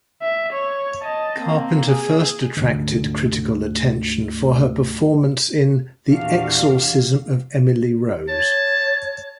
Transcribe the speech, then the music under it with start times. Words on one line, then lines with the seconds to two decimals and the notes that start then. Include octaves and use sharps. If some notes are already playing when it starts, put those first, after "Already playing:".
Carpenter first attracted critical attention for her performance in "The Exorcism of Emily Rose".
0.22 E5
0.53 C#5
1.02 D#5 A5
1.39 A#3 C4
1.88 G#4
2.57 D2 G#2 D3
6.08 E2 A#2 D4 F#4 G4 F5
8.28 C#5 A5